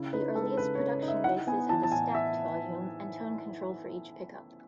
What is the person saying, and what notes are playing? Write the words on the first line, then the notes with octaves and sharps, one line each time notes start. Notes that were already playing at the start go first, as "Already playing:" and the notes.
The earliest production basses had a 'stacked' volume and tone control for each pickup.
Already playing: C#3 E4
D#4 B4
G#3 A4
C#3 B4
C#5
C#3
D#4
E5
E4 F#5
B3 G#5
E3 A5
A5
A2 G#5
E4 E5